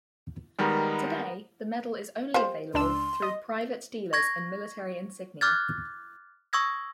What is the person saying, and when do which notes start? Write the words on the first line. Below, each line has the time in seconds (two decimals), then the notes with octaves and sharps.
Today, the medal is only available through private dealers in military insignia.
0.59 D#3 G3 G#3 B3 A#4
2.34 F4 G4 C5
2.74 C#2 D4 C6 E6
3.22 D#5
4.13 C#6 G#6 A#6
5.41 D6 F6 F#6 G#6 A6
6.53 C#6 D#6 E6 G#6 A#6